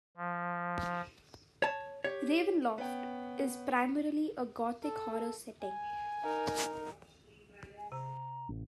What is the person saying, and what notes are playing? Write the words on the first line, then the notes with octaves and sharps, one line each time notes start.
"Ravenloft" is primarily a Gothic horror setting.
F3
C#5 A5
G4 C#5
B3 C#4 G5
A4
G#5
D#4 A#4
G#5
C3 A#5
A1